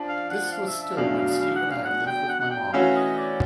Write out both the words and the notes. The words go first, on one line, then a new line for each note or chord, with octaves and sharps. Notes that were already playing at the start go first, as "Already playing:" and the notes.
This was still when Steve and I lived with my mom.
Already playing: F3 D4
F5
F#5
F5
E5
E5
E2 B2 F#3 A3 D4 F5
F5
F5
F#5
F5
F#5
G5
F#5
F#5
G5
E3 A3 C#4 F#4 F5
D#5
D5